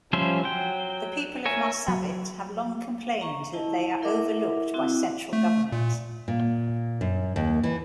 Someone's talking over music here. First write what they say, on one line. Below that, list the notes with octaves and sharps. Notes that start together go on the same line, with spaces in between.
The people of Marsabit have long complained that they are overlooked by central government.
F3 G3 C#4 C5 E5
F#3 G5
A#4 C#5 E5 G#5
F#3
A#5 C#6
E4 D#5 A5
E4 A#4 E5 F#5 D6
C4 E4 F#4
A3
A#2
A#2
F#2
D#2
E3